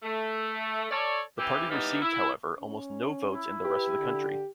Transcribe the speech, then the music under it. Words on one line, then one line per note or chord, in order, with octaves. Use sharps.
The party received, however, almost no votes in the rest of the country.
A3
A4 C#5 D5
C3 E3 E4 G4
E3 F#3 G3 A#3 B3 D#4
E4
C#4
E4
G4 B4
D3